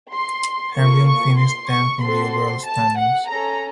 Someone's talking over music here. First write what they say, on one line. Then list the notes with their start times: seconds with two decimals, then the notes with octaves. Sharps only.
Henrion finished tenth in the overall standings.
0.12 C6
0.75 A#3 F4 A4 C#6
1.07 C#6
1.38 C6
1.70 C#6
2.02 C4 F#4 A4 C6
2.66 A5
2.98 F#5
3.29 C#4 A4 A#5